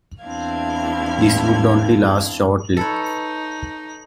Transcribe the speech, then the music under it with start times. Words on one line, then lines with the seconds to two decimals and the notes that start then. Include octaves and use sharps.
This would only last shortly.
0.23 E2 C4 D4 E4 F5 G#6
2.77 D#4 A4 B4 C#5